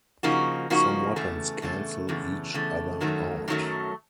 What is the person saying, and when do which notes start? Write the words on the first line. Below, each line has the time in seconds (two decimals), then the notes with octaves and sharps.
Some weapons cancel each other out.
0.23 C#3 F3 A#3 D#4 F#4
0.70 C#3 F3 A#3 D#4 F#4
1.16 E2 C#3 A3
1.62 E2 C#3 A3
2.09 E2 C#3 A3
2.54 E2 C#3 A3
3.01 F#2 D#3 F#3 A3
3.48 F#2 D#3 F#3 A3